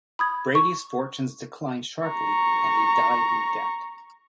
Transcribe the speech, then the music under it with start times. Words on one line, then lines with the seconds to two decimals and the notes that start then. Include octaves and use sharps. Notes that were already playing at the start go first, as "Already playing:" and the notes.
Brady's fortunes declined sharply, and he died in debt.
0.19 B5 D#6 G#6
0.55 C#6
2.08 A#5 C#6